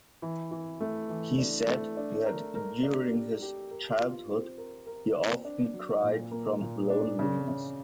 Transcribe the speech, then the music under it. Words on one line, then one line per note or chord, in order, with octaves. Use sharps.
He said that during his childhood he often cried from loneliness.
E3
E3
A3
E3
D4
A3
D4
A#4
A#4
D4
G4
G4
A#4
F4
C4
A#4
A#4
C4
D4
F#3
A#2
A#3
A#2
D4
C#3
C#3